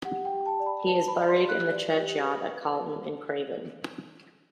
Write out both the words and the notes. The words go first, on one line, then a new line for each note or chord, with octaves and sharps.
He is buried in the churchyard at Carleton-in-Craven.
G4 F#5
G5
G4
A5
D5
B5
B4 A5
B5
D5
C6
G4
F#6
D5
G4
B4